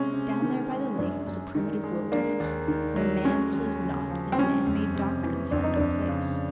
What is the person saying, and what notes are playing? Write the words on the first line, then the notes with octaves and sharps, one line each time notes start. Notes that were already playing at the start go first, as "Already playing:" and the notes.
Down there by the lake was a primitive wilderness where man was as naught and man-made doctrines had no place.
Already playing: C3 G#3 C#4
C3
D#3
G#3
F#2 D4
F#2
D#3
G#3
A#3 D4
D#2
D#3
F#3
G#3 C#4
D#2
C#3
F3
C4
G3 C#4
F2
C3
E3
F2 D4
D#4
F2 D4
C#3